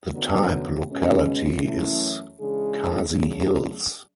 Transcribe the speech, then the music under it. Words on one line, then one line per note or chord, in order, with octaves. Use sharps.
The type locality is Khasi Hills.
F#2 D3 F#3 B3 F#4
B2 G#3 C#4
F#2 E3 A3 C#4 E4
C#3 E3 G#3 D4 G#4
C#3 F#3 A3 D4 G#4